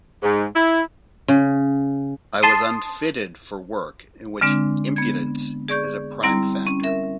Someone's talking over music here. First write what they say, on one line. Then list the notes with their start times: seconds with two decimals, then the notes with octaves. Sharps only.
I was unfitted for work in which impudence is a prime factor.
0.23 G#2
0.55 E4
1.28 C#3
2.43 A5 C6 D#6
4.41 D3 G#3 C4 D4
4.96 B3 G#6
5.68 G#4 D5 C#6 G6
6.23 G3 C4 E4 A#5
6.67 C#4
6.84 A#4 E5